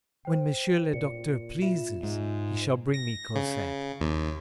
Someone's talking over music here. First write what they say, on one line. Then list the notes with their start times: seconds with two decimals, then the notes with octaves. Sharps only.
When Monsieur le Docteur pleases, he shall bring me Cosette.
0.25 C5 G5
0.93 A#2 C#7
1.62 F4 E5 E7
2.03 G#2
2.94 A#6
3.35 C#3
4.00 D#2